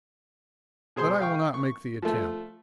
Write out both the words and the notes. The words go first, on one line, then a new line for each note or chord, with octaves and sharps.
But I will not make the attempt.
B2 G#4 C5 C6
F5 G5 C#6
C#6
F3 A3